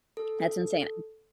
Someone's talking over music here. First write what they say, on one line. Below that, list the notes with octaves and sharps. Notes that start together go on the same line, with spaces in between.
That's insane,
A4